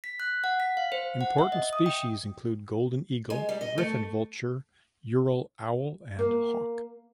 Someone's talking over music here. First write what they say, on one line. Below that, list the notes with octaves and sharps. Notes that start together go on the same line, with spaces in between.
Important species include golden eagle, griffon vulture, Ural owl and hawk.
B6
F#6
F#5
B6
F5
C5
F#5
E5
D#5
D#6
G5
G#3
G3
D#5
A3
A#3